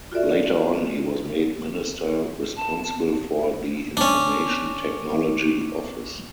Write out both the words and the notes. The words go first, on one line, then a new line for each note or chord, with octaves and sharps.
Later on, he was made Minister Responsible for the Information Technology Office.
F4 F#4 A4 D5 E5
A5
C#4 D4